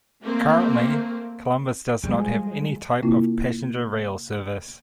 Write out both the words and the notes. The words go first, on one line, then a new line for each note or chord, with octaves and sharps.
Currently, Columbus does not have any type of passenger rail service.
A3 A#3 C4
F3 G3 G#3
C3 A#3 C4 E4 F4